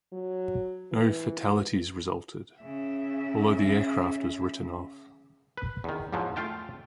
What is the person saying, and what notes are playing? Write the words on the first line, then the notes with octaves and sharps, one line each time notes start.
No fatalities resulted, although the aircraft was written off.
F#3
E3
C#3 E5
B4
E2 D#3
E2 G#2 F3 F#3
A3 F4 F5 G5 A5